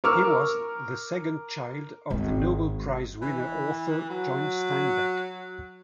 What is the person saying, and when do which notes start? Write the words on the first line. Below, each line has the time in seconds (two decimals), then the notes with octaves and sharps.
He was the second child of the Nobel Prize-winning author John Steinbeck.
0.04 A#4 C#6 D6 E6 F6
2.10 G#1 C4
3.22 E3
4.10 F#3